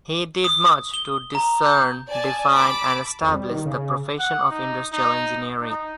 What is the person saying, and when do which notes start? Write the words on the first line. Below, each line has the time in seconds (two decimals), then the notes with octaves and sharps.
He did much to discern, define, and establish the profession of industrial engineering.
0.44 D#6
0.94 G7
1.35 A#5
1.65 G6
2.08 D5 G#5 A5
2.51 A5 B5 D6
3.22 F2
3.34 G3
3.50 D#3
3.65 C#3
3.85 C#3
4.19 F#5
4.50 D#4
4.93 D#4
5.61 D#4